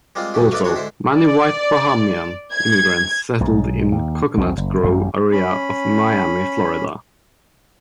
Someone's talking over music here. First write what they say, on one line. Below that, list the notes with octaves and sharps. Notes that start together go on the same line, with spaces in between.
Also, many white Bahamian immigrants settled in the Coconut Grove area of Miami, Florida.
G3 G#3 A#3 C4 F4
D2 G2 F#3 A3 G4
A3 A#3 D#4 B4 D5 E5
D#3 C4 D4 F#4 C#5
G#2 D3 E4 C5 E5
D5
G#6
B1 G#2
D#2
B1 E2 B2 C4
F#1
A1 F#2 G3
C#4 B5